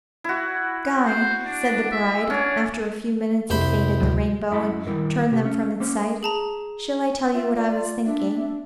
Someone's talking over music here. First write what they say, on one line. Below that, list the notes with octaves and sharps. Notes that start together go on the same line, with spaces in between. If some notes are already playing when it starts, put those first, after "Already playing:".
'Guy,' said the bride, after a few minutes had faded the rainbow, and turned them from its sight, 'shall I tell you what I was thinking?
E4 F#4
C5
D4
E5
C#4 D4 G#5
C2 F2 C5 B5
D2 A2 F#3
F#2 E4 D#5 F#5 B5
D#3 G3 E4 A#4
C3 G4
C#4
A#3 C#4 C5
G#4 A5 A#5
F4 E5
F4 D5
D4 E5